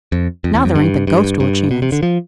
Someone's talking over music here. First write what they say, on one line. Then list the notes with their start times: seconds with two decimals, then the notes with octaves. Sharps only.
Now thur ain't the ghost o' a chance.
0.12 F2
0.44 F2
0.54 E2
0.65 F2
0.76 G2
1.07 G2
1.40 G2
1.71 B2
1.82 C3
1.92 D3
2.03 F3